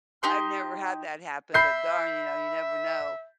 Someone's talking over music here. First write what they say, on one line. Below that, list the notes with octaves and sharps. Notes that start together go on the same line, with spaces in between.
I've never had that happen but darn, you know, you never know.
D#4 G4 C6
E5 B5 G6 C7